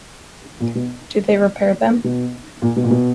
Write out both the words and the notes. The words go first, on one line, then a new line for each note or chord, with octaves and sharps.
Do they repair them?
A#2
B2
B2
A#2
B2
A#2
B2